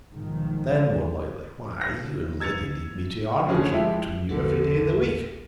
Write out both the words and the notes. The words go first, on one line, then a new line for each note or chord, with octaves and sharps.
Then, more lightly: "Why, you and Liddy need me to arbitrate between you every day in the week."
B1 G#2 D#3 F3
A#6
E6 G#6 A6 C#7 F7
F1 D2 F3 C#4 G#4
F3 G#3 E4 G4 E5
A#1 E2 D3 E3